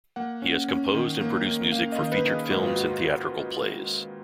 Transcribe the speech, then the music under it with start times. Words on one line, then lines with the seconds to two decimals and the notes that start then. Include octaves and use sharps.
He has composed and produced music for featured films and theatrical plays.
0.16 A#3 F#5
0.42 C#4
0.68 C#4
0.94 D#3
1.21 A#3
1.46 A#3
1.72 A#3 F5
1.92 D#5
1.99 D#3
2.12 B4
2.25 D#3
2.31 G#4
2.50 G#2 F#4
2.63 F4
2.76 F#4